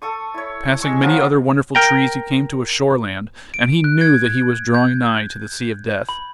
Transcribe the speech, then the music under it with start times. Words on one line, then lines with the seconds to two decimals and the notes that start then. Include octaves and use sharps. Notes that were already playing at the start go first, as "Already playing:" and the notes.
Passing many other wonderful trees, he came to a shoreland, and he knew that he was drawing nigh to the Sea of Death.
0.02 A4 C#6 D#6
0.34 E4 C#5
0.80 G#3 C#6 E6
1.02 F3 F#3 B3 F4
1.75 A#4 G5 A#5
3.54 D7
3.84 F#6
4.01 G#6
4.74 G6
6.09 B5